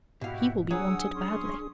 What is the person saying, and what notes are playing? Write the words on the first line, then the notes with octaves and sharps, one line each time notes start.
He will be wanted badly.'
G#2 B2 E4 F#4 G4 F5
F#3 D4 G#4 C#5 F#5 G#5 D#6 E6
C#4 C6